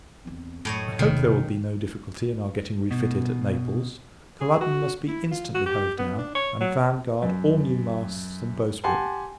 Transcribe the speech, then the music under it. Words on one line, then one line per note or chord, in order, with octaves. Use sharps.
I hope there will be no difficulty in our getting refitted at Naples. Culloden must be instantly hove down, and Vanguard all new masts and bowsprit.
E2 C4
F#2 A2 C#5 D#5
E1 C3 D#3
B2
G#4
F#4
E4
F4
F#4
G4
B3
D4
C#5
F#3
F#2
G4 F#5 G#5 A5 C6